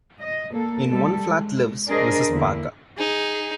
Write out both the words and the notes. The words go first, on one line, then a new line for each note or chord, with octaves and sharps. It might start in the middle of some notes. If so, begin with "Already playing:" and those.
In one flat lives Mrs. Parker.
D#5
A#2 A#3 A4
G3 A3 A4
G#3
D4 G#4 A#4 C5 D5 D#5
E2 D3 A#3 E4
D#4 G#4